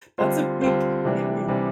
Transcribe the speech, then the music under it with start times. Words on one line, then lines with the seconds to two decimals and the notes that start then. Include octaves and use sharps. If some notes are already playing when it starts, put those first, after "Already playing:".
That's a big commitment.
0.18 D3 G3 C4 F4 C5
0.62 D3 G3 C4 F4 C5
1.05 C3 E3 G3 D4
1.48 C3 E3 G3 D4